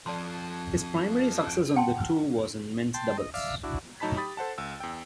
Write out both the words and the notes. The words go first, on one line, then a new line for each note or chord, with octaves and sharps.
His primary success on the tour was in men's doubles.
F2 F3 D5 A5 C6
F#5 G5 A5 C6
G5 A5 C6
D#5
D5 E5 F5
D4 E4 F#4
A2 F#3 D#4 A5 B5 B6
G4 B5 D#6 A6
A4 C5 F#5 A5
C#2 E6
E2 G5